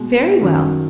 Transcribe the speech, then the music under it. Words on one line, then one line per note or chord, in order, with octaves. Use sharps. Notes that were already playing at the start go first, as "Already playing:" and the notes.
"Very well."
Already playing: B2 G#3
F#2 D#3 F#3